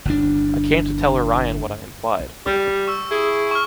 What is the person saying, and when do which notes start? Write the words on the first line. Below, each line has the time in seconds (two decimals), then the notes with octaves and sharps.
I came to tell Orion what I implied.
0.05 G1 E2 A#2 D4
2.46 G3
2.87 C#6 E6
3.11 E4 G#4
3.51 C#6 F6